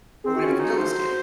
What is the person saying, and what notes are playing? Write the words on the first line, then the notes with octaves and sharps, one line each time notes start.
or whenever the bill is due.
C4 G#4
F#4
C#4 F4
D#4 F#4
C5